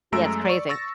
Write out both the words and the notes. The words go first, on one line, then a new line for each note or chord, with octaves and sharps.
Yeah, it's crazy.
F#2 G#3 A3 A#5 E6 D7
D5 C#6
C#6 E6 A6 A#6